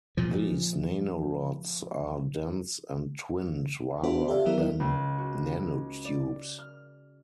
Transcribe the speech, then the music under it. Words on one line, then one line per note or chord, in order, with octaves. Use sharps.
These nanorods are dense and twinned rather than nanotubes.
A#2 F3
B3 D4 F4 F#4 A4 C5
G4 A4 C5 D5 E5 F5
D#3 E3 F#3 B3 E4 A#4
C#2
F#4
D5
F6